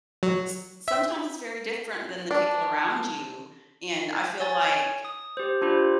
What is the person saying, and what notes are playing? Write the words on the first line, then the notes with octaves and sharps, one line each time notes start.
s sometimes it's very different than the people around you, and I feel like
F#3
E5
D4
C#5 G#5 A6
D#6
G4 C5
D4 F4 G4 C5 B5